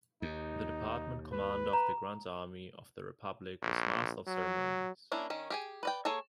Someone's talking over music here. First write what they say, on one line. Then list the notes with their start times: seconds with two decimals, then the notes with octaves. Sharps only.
The Department Commander of the Grand Army of the Republic was master of ceremonies.
0.22 D#2 D#4
1.33 B4
1.73 A#5
3.62 A#1
4.27 F#3
5.12 A#3 C#4 D4 E4
5.30 D#3 C#4
5.50 G4 G#4 G#5
5.83 B4 D5 G5
6.05 A#3 G#4 A4 C#5 G#5